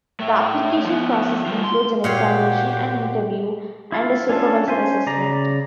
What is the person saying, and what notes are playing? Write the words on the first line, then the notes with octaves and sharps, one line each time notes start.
The application process includes an examination, an interview, and a supervisor assessment.
A2 A3
F3 B3
G3 F4
C6
A#2 F#4 G4 C#5 C6
E4 F4
C#4 D4 F4 A4
C#4 C5 G#5 C6
C#3 D5 A#5